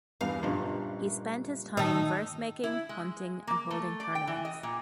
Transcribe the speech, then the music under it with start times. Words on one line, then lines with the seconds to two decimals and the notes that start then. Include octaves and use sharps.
He spent his time verse-making, hunting, and holding tournaments.
0.21 E2 G2 F5
0.43 F#1 G2 A#2
1.77 D#3 D#4 A5 E6
2.64 E4
2.89 G#3
3.47 A#3
3.71 A3
4.00 D5
4.15 G5
4.27 E3
4.45 D#5
4.63 A#2